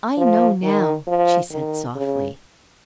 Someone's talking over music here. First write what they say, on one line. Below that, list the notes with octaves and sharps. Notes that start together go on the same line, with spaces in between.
"I know now," she said, softly.
F3
D#3
F3
D#3
C#3